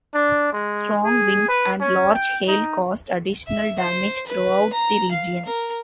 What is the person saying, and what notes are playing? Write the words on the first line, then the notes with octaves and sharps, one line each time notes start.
Strong winds and large hail caused additional damage throughout the region.
D4
G#3
G#4
B4
C#4
G5
D#4
E5
C5
B4
A#5
F5
A#4